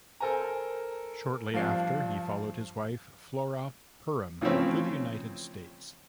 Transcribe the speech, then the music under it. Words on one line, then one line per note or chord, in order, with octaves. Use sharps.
Shortly after, he followed his wife Flora Purim to the United States.
A4 A#4 C5 G#5 A#5
G2 F3 D4 F4 C7
C#3 E3 F3 A3 C4 C#4